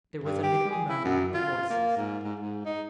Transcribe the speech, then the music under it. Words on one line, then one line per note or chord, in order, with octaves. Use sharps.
There was a little murmur of voices.
G2
G4
G#4
E4
F#2
F4
A#3
G#2
G#2
G#2
D#4